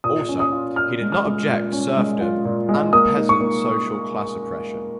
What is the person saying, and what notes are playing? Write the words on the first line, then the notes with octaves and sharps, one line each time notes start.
Also, he did not object serfdom and peasant social class oppression.
A#2 D#6
C#4
D#6
F4
F4 F6
G#3
F6
G#3
A#2
C#4
G#3
F4
A#2
G#3
A#3 D#6
D#4
C#6
A#3